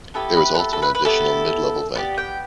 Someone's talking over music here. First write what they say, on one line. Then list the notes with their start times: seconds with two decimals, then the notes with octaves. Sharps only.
There was also an additional mid-level vent.
0.14 B3 E4 G4 A4
0.37 B4
0.55 B4
0.59 A4
0.73 A4
0.82 B4
0.95 B4
1.04 B3 E4 G4 A4
1.95 B3 E4 G4 D5
2.18 G5